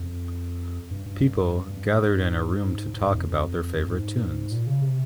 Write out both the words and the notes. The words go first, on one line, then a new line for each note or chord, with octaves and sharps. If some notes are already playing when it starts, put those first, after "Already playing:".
People gathered in a room to talk about their favorite tunes.
Already playing: F2
G2
G2
G#2
G#2
G#2
F2
G#2
A#2
C#3
C3